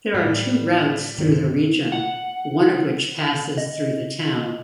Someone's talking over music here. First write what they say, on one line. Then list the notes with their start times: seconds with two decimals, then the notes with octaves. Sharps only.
There are two routes through the region, one of which passes through the town.
0.14 A2 G3
1.18 G2 B2 D3 D#3
1.92 F#5
3.58 D#5